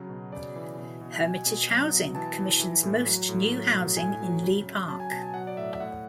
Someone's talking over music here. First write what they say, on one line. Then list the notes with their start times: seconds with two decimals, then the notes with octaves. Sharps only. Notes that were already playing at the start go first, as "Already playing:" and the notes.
Hermitage Housing commissions most new housing in Leigh Park.
Already playing: C#3 F#3
0.09 B2
0.32 C#3 D5
0.56 E3
0.77 B2
1.01 B2
1.23 B2 G#5
1.46 B2
1.69 F#3
1.92 B2
2.15 E3 A5
2.38 E3
2.60 E3
2.83 A2
3.06 F#3
3.29 A2
3.52 F#3
3.74 B2
3.97 A2 G#5
4.20 F#3
4.43 C#3
4.66 C#3
4.88 F#3 A5
5.00 G#5
5.11 B2 A5
5.23 G#5
5.34 F#3 F#5
5.47 D5
5.57 A2 E5
5.73 E5
5.80 A2 F#5